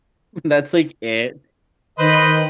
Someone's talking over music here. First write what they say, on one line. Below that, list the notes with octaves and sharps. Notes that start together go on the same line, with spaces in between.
that's, like, it.
D#3 B4 C5 D#5